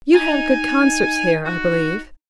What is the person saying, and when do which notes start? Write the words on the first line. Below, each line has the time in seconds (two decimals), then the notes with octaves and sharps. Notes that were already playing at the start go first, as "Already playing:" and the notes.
'You have good concerts here, I believe.'
0.15 D#4 G#5
1.45 F#4